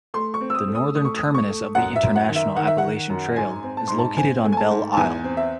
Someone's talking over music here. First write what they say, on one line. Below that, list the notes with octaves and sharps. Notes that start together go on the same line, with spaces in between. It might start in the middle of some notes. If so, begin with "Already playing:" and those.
The northern terminus of the International Appalachian Trail is located on Belle Isle.
A3 C6
C#6
C4
E6
D#6
A3
D#6
A3 D#6
C#6
D#6
A3
C#6
A3
F#2 F#5
E5
F#2
F#5
D#3
E5
D#3 F#5
E5
D#3 F#5
F#2
G#2 G#5
C4
A5
G#2 C6
A5
C4 G#5
A3
G#5
A5
G#2
A5
E2 G#5
C4
E5